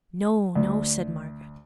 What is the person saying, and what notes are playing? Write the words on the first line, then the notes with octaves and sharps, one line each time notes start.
"No, no," said Margaret.
D2